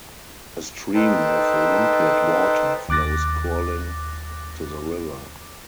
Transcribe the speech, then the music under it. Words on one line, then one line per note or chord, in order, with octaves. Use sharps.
A stream of limpid water flows purling to the river.
D#4 A4 B4 C5 G5 A5
D#2 D6 F#6 A6 A#6